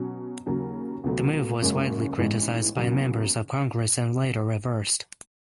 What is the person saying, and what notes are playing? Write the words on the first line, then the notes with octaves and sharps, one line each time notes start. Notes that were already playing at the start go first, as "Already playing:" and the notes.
The move was widely criticized by members of Congress and later reversed.
Already playing: B2 F#3 C#4
D#2 C#3 F#3
C#2 B2 F#3 A3
F#1 F#2 C#3 G#3 C#4
A1 G#2 E3 G#3 B3
F#1 E2 C#3 F#3